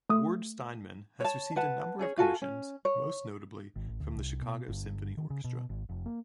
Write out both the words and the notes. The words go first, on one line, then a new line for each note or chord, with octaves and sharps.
Ward-Steinman has received a number of commissions, most notably from the Chicago Symphony Orchestra.
A3 D#6
C#5 A5
B4 F#5 A5
C#4 G#4 C#5
F4 F#4 A4 G#5
C#4
C#5
G#1
A1
D2
C2
B2
G1
D#3
C#3
B2
G#1
F1
A#3